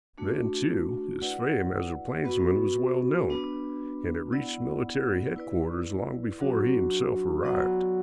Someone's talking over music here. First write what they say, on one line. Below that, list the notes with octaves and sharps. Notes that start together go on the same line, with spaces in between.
Then, too, his fame as a plainsman was well known, and it reached military headquarters long before he himself arrived.
A3 D4 F#4
E4 B4 D5 F#5
B3 F#4 B4
B3 D4 B4
B3 E4 D5 F#5
E4 B4 D5
F#3 D4 F#4
F#3 B3 F#4 D5 F#5